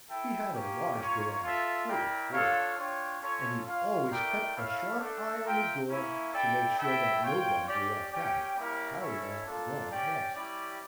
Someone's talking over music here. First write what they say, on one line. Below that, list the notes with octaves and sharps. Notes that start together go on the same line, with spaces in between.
He had a large garage full of fords, and he always kept a sharp eye on the door to make sure that nobody who walked out carried off one of us.
E4 A4 E5 G5
A#3 C#4 G4
A#3 C#4 F4 C#5
F4 A4 E5
E4 A#4 D5 G5
D4 F4 A4 C#5 F5
D4 F4 C#5 G5
C#4 F4 A4 C#5
F4 C#5 F5
A3 E4 A#4 D5 G5
E4 A4 C#5 F5
A3 D4 A4
F4 A#4 E5 G5
A#3 C#4 E4
E4 A4 D5 G5
E4 A4 E5 G5
F4 C#5 G5
C#4 G4 D5
C#4 G4 D5 G5
G3 A#3 C#4 E4 A#4
C#4 E4 A4 C#5
A#3 D4 F4 A4
C#4 G4 D5 G5
G3 C#4 E4 G4 D5